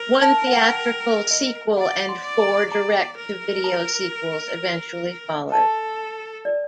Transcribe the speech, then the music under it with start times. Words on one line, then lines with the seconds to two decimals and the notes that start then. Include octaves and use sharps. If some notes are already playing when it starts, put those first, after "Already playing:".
One theatrical sequel and four direct to video sequels eventually followed.
Already playing: A#4
0.21 A5
0.47 F#5
0.52 G5
1.31 D#5
1.77 D5 F#5
2.09 C6
2.24 D5
2.39 A#5
2.70 D5 A#5
3.17 A#4
3.64 A#5
5.51 A4 A5
6.45 D5